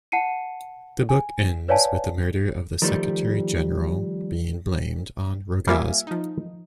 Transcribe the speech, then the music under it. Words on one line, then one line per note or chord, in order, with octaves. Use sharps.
The book ends with the murder of the Secretary-General being blamed on Rogas.
F#5 A5 C7 C#7 D#7
G#5
B4 C#5 D5 F5 G#5 A5
D#3 F3 G3 A3
G3 A#3 F4 E5 F5 G#5
F3 D#4